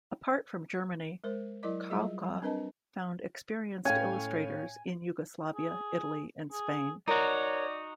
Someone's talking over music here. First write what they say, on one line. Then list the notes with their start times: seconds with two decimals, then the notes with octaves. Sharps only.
Apart from Germany, Kauka found experienced illustrators in Yugoslavia, Italy and Spain.
1.24 G#3 A#4 C5
1.63 F#3 E4 A#4 D5 D#5 D6
1.90 F#3 G3 F4 G#4 D#5 E5
2.24 G3
2.42 C4 D4 A#4 B4 D#5 A5
3.85 A2 C#4 C#5 F5 G5 G#5
5.55 G#4
6.52 G#4
7.08 D#4 F#4 A#4 C#5 D5